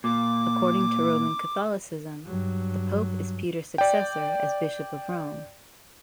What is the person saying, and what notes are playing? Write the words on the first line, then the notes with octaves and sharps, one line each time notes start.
According to Roman Catholicism, the pope is Peter's successor as Bishop of Rome.
A#2 D6
G2 F#3
D5 G5